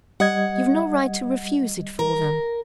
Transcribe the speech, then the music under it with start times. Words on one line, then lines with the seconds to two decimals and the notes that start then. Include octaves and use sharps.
You've no right to refuse it for them.
0.20 G3 D#5 F#5 G#6
1.99 A#4